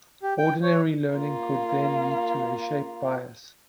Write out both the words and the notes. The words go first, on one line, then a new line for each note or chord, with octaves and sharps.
Ordinary learning could, then, lead to a shape bias.
G4
G5
C#5
A#3 F4